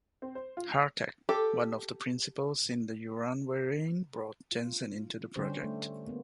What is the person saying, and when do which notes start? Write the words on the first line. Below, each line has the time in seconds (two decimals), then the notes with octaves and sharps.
Harteck, one of the principals in the "Uranverein", brought Jensen into the project.
0.22 C4
0.35 C5
0.57 F4
0.72 F7
1.29 G4 A4
4.52 F4
5.36 D3 G3 C#4 G4 C5
5.62 A3
6.06 A#3 B3